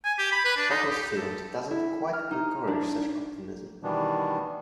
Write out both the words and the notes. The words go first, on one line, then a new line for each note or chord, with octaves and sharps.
What was filmed doesn't quite encourage such optimism.
G#5
G4
B5
B4
D4
D#4
G4
A4
E4
F6
D#4
D4
B2 D#3 E3 G3 B3 D4